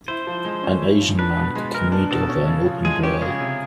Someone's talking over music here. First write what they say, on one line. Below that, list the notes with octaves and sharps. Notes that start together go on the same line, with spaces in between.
An Asian man cooking meat over an open grill.
E4 C5
F3
G#3
C#4
E4
F3
D4 B4
B2
G#3
B3 A#4
D4
B2 A4
C#4
C#3
F3
G#3 G#4
C#4 G4
C#3 G#4
C3